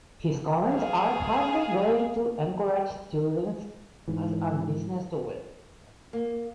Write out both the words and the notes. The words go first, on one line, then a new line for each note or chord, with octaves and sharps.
His comments are hardly going to encourage tourism and business to Wales.
G#4 F5
G#2 E3
A#3